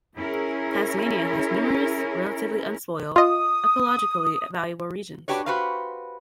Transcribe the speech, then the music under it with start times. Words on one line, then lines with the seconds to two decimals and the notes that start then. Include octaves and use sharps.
Tasmania has numerous relatively unspoiled, ecologically valuable regions.
0.16 C#4 E4 G#4 A#4
3.16 F4 D#5 D#6
5.28 D4 F#4 G4 B4 C#5
5.46 F#4 G4 B4 C5 F5